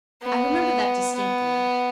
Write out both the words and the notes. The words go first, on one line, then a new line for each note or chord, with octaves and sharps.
I remember that distinctly.
B3
B3